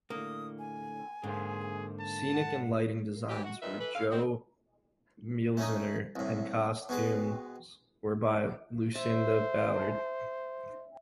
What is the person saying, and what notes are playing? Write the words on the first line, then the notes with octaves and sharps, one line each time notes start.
Scenic and lighting designs were by Jo Mielziner and costumes were by Lucinda Ballard.
A2 D3 A#3 D#6
G#5
G#2 D3 A#3 G#4 C5
A5
F#5
E3 F#3 G4
F#4
F2 A#2 D#4 B4 E5
E3 A4 B4
D#2 D3 F5
D#3 F#3 G#3 C4
A3 C#4 D#4
C2 A2
B2 G#3 B4
C5 E5